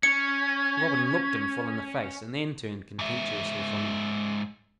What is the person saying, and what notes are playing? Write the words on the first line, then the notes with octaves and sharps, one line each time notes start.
Robin looked him full in the face, and then turned contemptuously from him.
C#4 G#6 C#7
G#2 E5